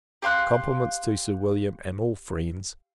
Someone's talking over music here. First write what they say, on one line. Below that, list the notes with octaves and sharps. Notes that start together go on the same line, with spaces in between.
Compliments to Sir William, and all friends.
G4 F5 C6 F#6